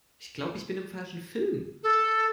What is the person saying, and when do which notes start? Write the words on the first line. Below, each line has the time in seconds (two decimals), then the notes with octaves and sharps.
Ich glaube, ich bin im falschen Film.
1.83 A4